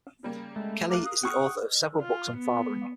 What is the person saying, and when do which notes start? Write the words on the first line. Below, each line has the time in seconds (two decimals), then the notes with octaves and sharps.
Kelly is the author of several books on fathering.
0.23 C#3 G3 A#3
0.56 G#3 A3
0.90 A#4 F5 D6 F#6
1.06 D#6
1.23 F#5 G5 C#6 F6
2.01 F4
2.37 B3